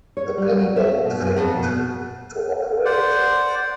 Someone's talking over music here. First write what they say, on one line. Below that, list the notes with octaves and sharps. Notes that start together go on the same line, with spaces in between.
The payload failed to operate.
C#5
G3
F#3
E5
C#4
B2
F#2
F2
B2
C5 D5 F#5